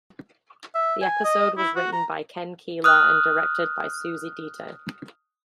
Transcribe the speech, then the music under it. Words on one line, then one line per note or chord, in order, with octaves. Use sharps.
The episode was written by Ken Keeler and directed by Susie Dietter.
E5
G#5
D#5
E4
F#4
A#5
D#6 F6 F#6